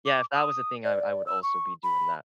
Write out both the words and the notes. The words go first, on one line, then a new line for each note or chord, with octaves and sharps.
Yeah, if that was the thing, I would I would also be doing that,
D6
D#6
D5
E6
C#6
B5